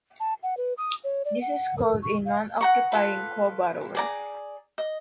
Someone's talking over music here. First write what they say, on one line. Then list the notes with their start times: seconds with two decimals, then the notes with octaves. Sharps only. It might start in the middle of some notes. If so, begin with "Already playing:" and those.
This is called a Non-Occupying Co-Borrower.
0.20 A5
0.43 F#5
0.57 B4
0.78 D#6
1.04 C#5
1.25 D5
1.41 F#5
1.78 A#4
2.02 C#6
2.25 F5
2.61 F#5 A#5 C#6
2.92 F4 A4 B4
3.95 G#4 D5 A#5
4.78 D#5